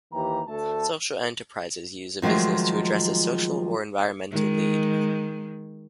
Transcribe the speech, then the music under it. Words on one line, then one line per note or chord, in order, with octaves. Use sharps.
Social enterprises use a business to address a social or environmental need.
D#2 E3 G4 A#5
D2 A3 A4 A5
D#3 F3 F#3 G#3 A3
D#3 G#3